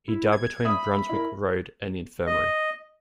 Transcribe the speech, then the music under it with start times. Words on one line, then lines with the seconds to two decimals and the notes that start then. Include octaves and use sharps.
He died between Brunswick Road and the Infirmary.
0.08 E4
0.32 G#6
0.65 E5 B5 D#6
1.09 E4 A#4
2.26 D#5